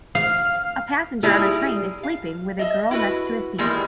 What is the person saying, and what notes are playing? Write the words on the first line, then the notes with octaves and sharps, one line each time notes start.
A passenger on a train is sleeping with a girl next to his seat.
F5
A#2 G3 D#4 E4 G#4 A#5
F5
D#5 E5
E4 F#4 B4
D#3 E3 G3 G#3 A#3 B3